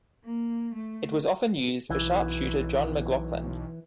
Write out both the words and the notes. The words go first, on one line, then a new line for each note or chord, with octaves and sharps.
It was often used for sharpshooter Jon McGlocklin.
A#3
A3
B1 E3